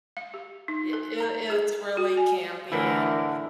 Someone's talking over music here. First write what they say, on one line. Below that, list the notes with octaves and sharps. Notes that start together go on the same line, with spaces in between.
y it it's really campy, and
F5
G4
D#4
A4
A#5
G#4
F#4
G#5
A2 D3 E3 E4 A#4